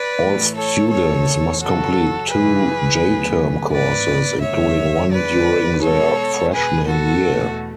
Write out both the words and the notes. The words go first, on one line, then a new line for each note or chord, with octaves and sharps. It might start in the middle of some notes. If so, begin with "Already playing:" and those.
All students must complete two J-Term courses, including one during their freshman year.
Already playing: B4 D5
A2 E3 A3
A4 C#5
E2 B2 A3 A4 C#5
F#2 C#3 F#3 F#4 A4
F#2 C#3 E3 G#4 B4
D2 C#3 F#3 B3
G#2 E3 B3 B4 D5
F#2 D3 A3 C#5 E5
E2 D3 G#3 B4 D5
B2 G#3 B3 A4 C#5
B2 G#3 B3 G#4 B4
F#4 A4
E2 B2 A3